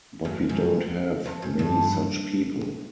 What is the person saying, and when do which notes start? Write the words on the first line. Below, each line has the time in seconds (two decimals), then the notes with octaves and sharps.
But we don't have many such people.
0.25 F#2
0.49 F#2
1.26 E2
1.42 F#2
1.59 G2